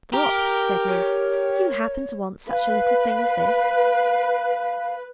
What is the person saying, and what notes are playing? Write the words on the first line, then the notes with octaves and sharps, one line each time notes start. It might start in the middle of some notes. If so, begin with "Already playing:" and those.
Thorpe,' said he, 'do you happen to want such a little thing as this?
G4 A#4 A#5
C#5
B4 F5